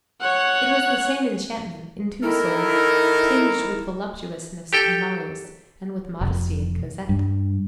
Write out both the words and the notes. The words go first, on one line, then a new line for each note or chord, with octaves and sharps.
It was the same enchantment in two souls, tinged with voluptuousness in Marius, and with modesty in Cosette.
C#5 F#5
D#3 E4 A4 A#4
G4 A4 G5
F1
G2